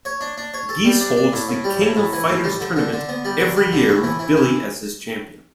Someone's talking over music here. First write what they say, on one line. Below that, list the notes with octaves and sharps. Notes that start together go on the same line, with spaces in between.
Geese holds "The King of Fighters" tournament every year with Billy as his champion.
C#5
D4
D4
C#5
A4
G3
D4
D4
A2
A2
G3
A2
A2
E3
A2
G3
D3
D3
D3
B3
G3
D3
G3
D3
A2
E3
E3
E3